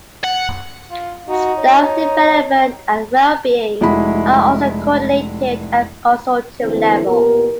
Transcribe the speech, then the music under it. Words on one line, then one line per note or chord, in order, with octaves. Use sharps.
Staff development and well-being are also coordinated at consortium level.
F#5
F4
D#4 F#4
C#5
F1 G#3 E4 F#4 B5
D2 E3 A#3 C4 E4 A4
A#2 B3 G4 A#4